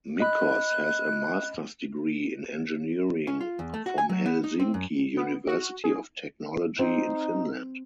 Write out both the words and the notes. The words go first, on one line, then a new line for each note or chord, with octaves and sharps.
Mickos has a master's degree in Engineering from Helsinki University of Technology in Finland.
D#5 B5 F#6
C#4
F4
E2
A3
F#4
G#5
F#3
B3
D#4
C4
F#2
B3
F#4
G#4
C4 D#4